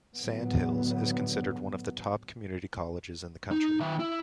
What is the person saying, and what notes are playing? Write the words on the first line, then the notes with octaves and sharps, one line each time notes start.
Sandhills is considered one of the top community colleges in the country.
G#1 A2 D3 F#3 B3
D#4
D#3 E5
E4